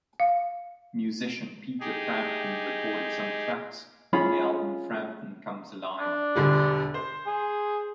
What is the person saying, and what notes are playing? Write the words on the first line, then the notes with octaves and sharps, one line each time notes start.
Musician Peter Frampton recorded some tracks on the album Frampton Comes Alive!
F5
D#4 G4 G#4
C#4 F4 G#4 B5
D4
E1 D3 G3
C5
G#4